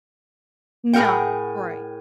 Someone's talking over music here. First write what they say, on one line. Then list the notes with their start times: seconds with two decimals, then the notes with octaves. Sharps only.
No, right.
0.93 A2 G#4 A#4 F#5 G5